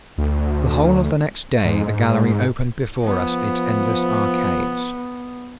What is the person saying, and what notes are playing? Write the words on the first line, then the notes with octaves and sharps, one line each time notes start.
The whole of the next day the gallery opened before us its endless arcades.
D2
G#2
F3 B3